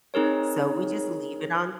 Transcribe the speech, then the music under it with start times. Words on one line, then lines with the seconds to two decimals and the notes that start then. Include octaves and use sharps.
So, we just leave it on
0.14 C4 D#4 G#4 A#4 C#5